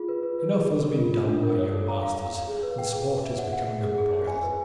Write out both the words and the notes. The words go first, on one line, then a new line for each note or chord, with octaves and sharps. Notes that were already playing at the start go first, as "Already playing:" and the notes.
"Enough has been done, my young masters, and the sport is becoming a broil."
Already playing: F4 G#4
B4
B4
B4
G#4
D4
A#4
F4
F4
D4
A#4
C#5
A4
A#5
F5
F5
F5
G#4
B4
G5
G#4
B4
E5
F#5
F#5
G#4
G#4
G#4
G#4
G#5
B4